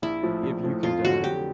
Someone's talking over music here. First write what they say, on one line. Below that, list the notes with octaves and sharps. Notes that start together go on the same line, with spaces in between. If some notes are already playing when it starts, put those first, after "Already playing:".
if you could, uh,
A#1 E4
A2 F3
A#1
A2 F3
F2 F4
D3 F#3 F#4
F2 G4